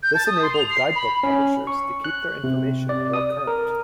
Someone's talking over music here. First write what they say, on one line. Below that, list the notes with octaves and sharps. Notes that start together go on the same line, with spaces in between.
This enabled guidebook publishers to keep their information more current.
G6
A5
D#6
C6
F7
C7
B5
C#4
C#6
F#6
C3
D5
D#6
A#4